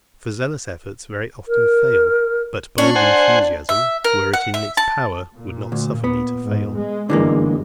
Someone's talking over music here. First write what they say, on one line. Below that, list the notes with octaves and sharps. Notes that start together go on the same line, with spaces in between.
For zealous efforts very often fail: but bold enthusiasm, were it in its power, would not suffer me to fail.
A#4
C#4 D4
C5 F#5 G#5
E5
A#4
F#5
E5
A5
A#2
D2
B3
G#2
G#3
G1 F#2 D3 E3 G#3 A#3